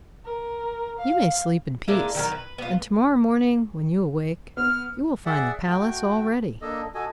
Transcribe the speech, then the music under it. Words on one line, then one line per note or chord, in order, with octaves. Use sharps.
You may sleep in peace, and to-morrow morning when you awake you will find the palace all ready.'
A#4
F5
G#3 A#3 D4 E4
D#3 F#3 A#4
B4
B3 F4
B3 F6
G#4 D5 E5 F#5
A3 F#4 G5
A#3 D4 A4 D#5
F#4 A4 D#5 G#5